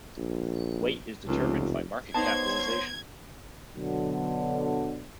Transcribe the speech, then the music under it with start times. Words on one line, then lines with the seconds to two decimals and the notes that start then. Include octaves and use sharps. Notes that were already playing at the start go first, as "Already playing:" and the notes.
Weight is determined by market capitalization.
0.17 A#1
1.27 F1 C#2
2.14 B3 D#4 C5 C#5 A5 C6 G#6
3.76 B2 D3 F#3